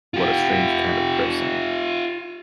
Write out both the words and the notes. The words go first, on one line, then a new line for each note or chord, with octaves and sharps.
What a strange kind of person!
F4 G4